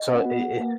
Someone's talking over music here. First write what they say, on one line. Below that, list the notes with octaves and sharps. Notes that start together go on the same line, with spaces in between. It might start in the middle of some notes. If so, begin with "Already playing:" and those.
So it it
Already playing: D#5
C#4 F#5
B3 F#4
F#5
A#3 B4